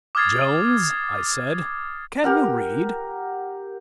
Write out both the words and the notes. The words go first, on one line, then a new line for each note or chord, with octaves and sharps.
"Jones," I said, "can you read?"
D6 D#6 F6 G#6 A6 C7
G4 A#4 F#5